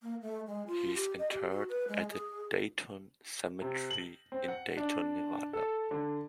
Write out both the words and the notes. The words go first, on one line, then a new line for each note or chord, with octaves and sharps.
He is interred at the Dayton Cemetery in Dayton, Nevada.
A#3
A3
G#3
F4
G4
D#5
G4
F#4
B4
G#3
G#4
C3
F#7
C4
F#5
D4
A4
D3